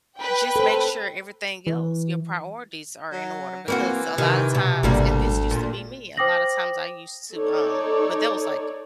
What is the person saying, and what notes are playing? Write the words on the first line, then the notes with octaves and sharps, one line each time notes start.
just make sure everything else, your priorities are in order because a lotta times and this used to be me, a lotta times I used to, um but that was, like,
B4 G5
A4 C5
E3
F#3
E3 A#3 C4 F#4
C3 D#3
B2
G#1 D2 B2 G3 A#3
A#2
C5 G5 D6 D#6 A#6 F#7
D#4 A4 C#5 D5